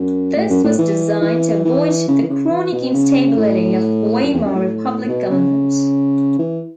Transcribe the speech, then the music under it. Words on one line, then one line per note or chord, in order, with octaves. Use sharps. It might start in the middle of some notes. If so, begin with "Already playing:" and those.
This was designed to avoid the chronic instability of Weimar Republic governments.
Already playing: F#2
A2
F#2
A2
E3
E3
E3
C#3
E3
C#3
E3
B2
C#3
A2
F#2
E2
F#2
A2
A2
B2
C#3
E3